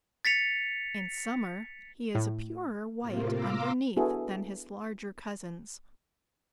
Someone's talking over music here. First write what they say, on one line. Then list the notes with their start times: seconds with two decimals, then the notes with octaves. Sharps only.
In summer he is a purer white underneath than his larger cousins.
0.25 A6 B6 C#7 F7
2.15 A2
2.99 A2 C3 A#3 F4
3.32 F5 A#5 C6 D6 E6
3.96 B3 D4 E4 F#4 G#4 A4